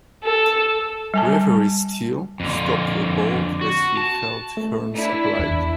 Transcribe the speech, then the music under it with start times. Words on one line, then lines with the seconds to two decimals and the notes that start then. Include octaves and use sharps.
Referee Steele stopped the bout as he held Hearns upright.
0.24 A4
1.14 G3 G#5 A5
2.40 F2 D3
3.61 F#4
3.97 A5
4.57 A3
4.94 D4 E4
5.39 E2